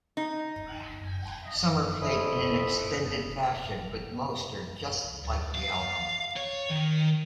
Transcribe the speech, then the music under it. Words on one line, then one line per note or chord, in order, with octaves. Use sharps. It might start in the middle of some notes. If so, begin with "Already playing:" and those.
Some are played in an extended fashion, but most are just like the album.
D#4
F2 E4 E5 B5 D#6
F5
C#5
D#3